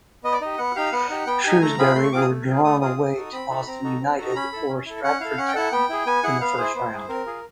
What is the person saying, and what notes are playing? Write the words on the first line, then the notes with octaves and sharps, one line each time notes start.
Shrewsbury were drawn away to Boston United or Stratford Town in the first round.
B3 D#5
D5
D#4 G4 D#5
B3 F#5
D#4 G4 F5
B3 F#5
D#4 G4
B3 G5
D#4 G4 G#5
A3 A#5
C4 F4 G#4 B5
A3 C6
C#6
C4 F4 G#4 D6
D#6
A3
C4 F4 G#4
A3 D#6
C4 F4 G#4 D#6
C4
D#4 F#4 A4
C4 B5
D#4 F#4 A4
C4 A#5
D#4 F#4 A4
C4
D#4 F#4 A4 A#5
C#4 B5
E4 A4
C#4
E4 A4
C#4 F#5
E4 A4 F5
C#4 F#5
G5
E4 A4 F#5
B3 G5
E4 G#4
B3 G#5
E4 G#4 F#5
B3 F5
E4 G#4 C5
B3
E4 G#4
C4 A#4
F4 G#4